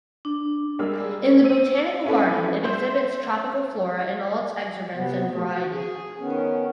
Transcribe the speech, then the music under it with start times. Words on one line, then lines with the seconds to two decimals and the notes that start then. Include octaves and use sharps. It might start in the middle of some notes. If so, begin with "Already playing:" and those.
In the botanical garden it exhibits tropical flora in all its exuberance and variety.
0.25 D4
0.79 G3 G#3 A#3 G#4 E6 F6
1.44 E6 D#7
2.05 C4 C#4 E4 A4 B4
2.64 C5 E5 G6
4.93 C3 B3
5.30 B2 F3 A3
5.50 F#4
5.72 G#4
6.19 D#3 B3 C#4